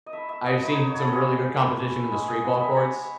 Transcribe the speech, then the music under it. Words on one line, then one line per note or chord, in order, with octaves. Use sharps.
I've seen some really good competition in the street ball courts.
D#5
A3 E4 E5
E5
D#5
F#3 B3 D#4 D#5
C#5
C#5
A4 B4
G#3 C#4 E4 G#4
A3 E4
G#3 C#4 E4
G#4
F#5
G#3 C#4 E4 E5
C#5